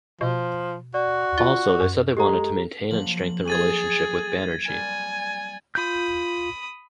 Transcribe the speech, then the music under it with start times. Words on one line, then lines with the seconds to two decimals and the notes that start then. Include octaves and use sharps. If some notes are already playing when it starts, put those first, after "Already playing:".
Also they said they wanted to maintain and strengthen relationship with Banerjee.
0.21 B2 F3
0.94 F#4 D5
1.38 F4
1.80 F#2
2.17 G#3 G4 A4 A#5
2.91 F3 F#3 A#3 F#7
3.48 G#4 G#6 A6 D#7
4.68 G3 C4 A#4 G#5
5.75 F4 B5 D#6 G6